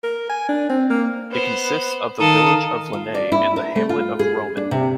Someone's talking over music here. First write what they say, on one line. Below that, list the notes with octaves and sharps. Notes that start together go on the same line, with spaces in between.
It consists of the village of Lonay and the hamlet of Roman.
A#4
G#5
D4
C4
A#3
B3 C5
D#3 A4 A#4 F5 D#6
F4
D5
E4
A#4
A3
F4
G#4
D4
C3